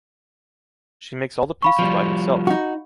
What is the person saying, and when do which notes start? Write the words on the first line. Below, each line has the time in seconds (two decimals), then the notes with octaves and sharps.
She makes all the pieces by herself.
1.62 F5 B5 C#6
1.79 F3 G3
2.47 D#4 F#4